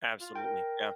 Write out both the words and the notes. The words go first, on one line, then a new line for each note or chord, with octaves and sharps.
Absolutely, yeah.
F4
A#4 G5